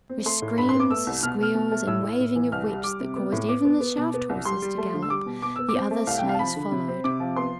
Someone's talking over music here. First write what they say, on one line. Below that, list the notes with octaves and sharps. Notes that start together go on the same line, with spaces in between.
With screams squeals, and waving of whips that caused even the shaft horses to gallop--the other sleighs followed.
C4
A3 C6
A2
G2 B5
C6
B3
D6
A3 E6
C2
B2 F6
B2 F6
B2
A3
A2 E6
A2
A2
E3
C2 F6
G3
G3 D6
C3
B3
A2
B3 D6
B3
B3
B2
B3
C2
G3 C6
G3
A3
D3
E6
G3 D6
B2
B2 D6
B3 E6
D6
C4
A3
C2 F5
G5
C3
F5
A5
F3 B5
D3
C3
C4
C3 D6
F3
B3 C6